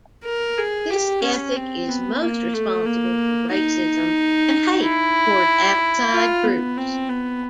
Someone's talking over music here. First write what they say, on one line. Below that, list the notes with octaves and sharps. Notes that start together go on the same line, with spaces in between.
This ethic is most responsible for racism and hate towards outside groups.
A#4
G#4
G4
C#4
C4
B3
A#3
A3
A#3
D#4
E4
F4
B3
C4
B3